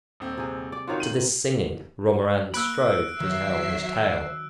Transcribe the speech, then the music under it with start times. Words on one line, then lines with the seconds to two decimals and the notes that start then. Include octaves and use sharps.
To this singing Romarin strove to tell his tale.
0.20 D#1 C4
0.37 C3 G#4
0.72 D5
0.87 D#3 D#4 F4 F#4 C#5 F5
1.00 D#7 F#7
2.54 A#3 B5 E6 F#6 D7
3.20 D#3 F#3 E5 C7